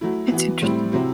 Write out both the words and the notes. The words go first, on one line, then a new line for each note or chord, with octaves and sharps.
That's interesting.
F#3 A3 E4
E3 B3 F#4
A2 G3 C4 E4
C3 F#3 C4 E4